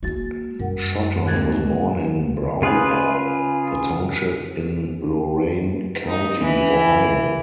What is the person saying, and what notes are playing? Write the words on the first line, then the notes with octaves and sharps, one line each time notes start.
Shotton was born in Brownhelm, a township in Lorain County, Ohio.
G#3 A#3 F#4 A6
F#2 G3 A#4 F#5
A#2 G#3 C4 F#6 G#6 A6
C#3 F4 G#4 B4
D#4
E3